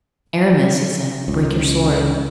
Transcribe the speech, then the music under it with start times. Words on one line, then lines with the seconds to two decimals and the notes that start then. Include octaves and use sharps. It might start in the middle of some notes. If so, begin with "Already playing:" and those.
"Aramis," he said, "break your sword."
1.28 C#2